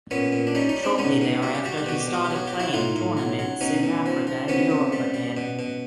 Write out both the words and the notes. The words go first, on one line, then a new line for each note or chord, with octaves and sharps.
Shortly thereafter he started playing tournaments in Africa and Europe again.
A#2 B3 C#4
A#2
D4
G3 C#4 D#4
C#4 D#4
G3
C4 D4
B2 C#4 D#4
B2
G3 F#4
G4
G3 F#4
G4
B2 F#4
G4
B2
F#4
G4
F#3
F#4
G4
F#3
E4 F#4
A2 D#4 F4
A2
F#3
F#3
B2 C#4 D#4
B2
F3
F3
C3 B3 C#4
C3
G3
G3
B2
B2